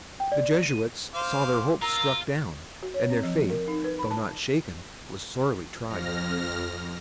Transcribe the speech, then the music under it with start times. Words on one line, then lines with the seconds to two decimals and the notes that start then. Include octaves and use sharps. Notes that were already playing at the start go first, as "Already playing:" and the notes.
The Jesuits saw their hopes struck down; and their faith, though not shaken, was sorely tried.
0.20 G5
0.32 D5
0.63 D#7
1.14 C5 F5 D6
1.82 F4 A#4 A#5 E6
2.83 F#4
2.94 C#5
3.10 C4
3.23 F3
3.50 A#4
3.68 D#4
3.84 B4
3.99 B5
4.11 A5
5.83 F2 F6 A#6